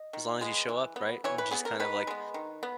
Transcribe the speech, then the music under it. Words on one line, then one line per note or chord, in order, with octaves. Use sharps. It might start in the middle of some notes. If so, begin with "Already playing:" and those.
As long as you show up, right, and just kind of, like,
Already playing: D#5
D#3
G#3 B3
E3
B3
E3 C#5
B4
B3 G#4
A#4
D#3 B4
G#3 B3
D#3
B3